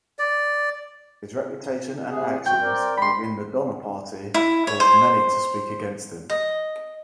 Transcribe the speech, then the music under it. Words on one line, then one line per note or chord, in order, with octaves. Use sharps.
His reputation and actions in the Donner Party caused many to speak against him.
D5
C3 G#4
C3 C4 F#4 G5
C4 A#4 D5
G2 G#3 B5 C6
E4
C#5
C5
D#5